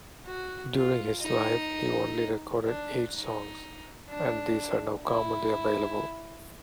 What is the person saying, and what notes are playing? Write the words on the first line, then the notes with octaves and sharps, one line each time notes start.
During his life, he only recorded eight songs, and these are now commonly available.
F#4
F4
D#4
D4
D#4
D4
E4